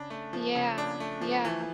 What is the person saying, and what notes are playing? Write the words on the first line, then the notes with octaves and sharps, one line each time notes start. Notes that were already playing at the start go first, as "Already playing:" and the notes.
Yeah. Yeah.
Already playing: C#3 D4
A3
F3
C#3
D4
A3
F3
E3